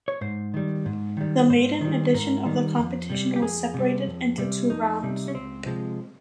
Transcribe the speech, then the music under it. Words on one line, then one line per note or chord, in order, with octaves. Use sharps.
The maiden edition of the competition was separated into two rounds.
C#5
G#2 C5
D#3 G3
G#2
D#3 G3
G#2 C5
D#3 G3
G#2 A#4
D#3 G3
F2
C3 G3
G4
F2 G#4
C3 G3
F2
C3 G3
F2 D#4
C3 G3
C#4
C#2 C4
C3 F3 G#3